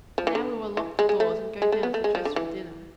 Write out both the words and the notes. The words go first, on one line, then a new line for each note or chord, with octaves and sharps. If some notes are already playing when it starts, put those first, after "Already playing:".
And now we will lock the doors and go down to dress for dinner.
F3
E3
D3
E3
G#3
G#3
A3
G#3
A3
B3
A3
G#3
F3
D3
E3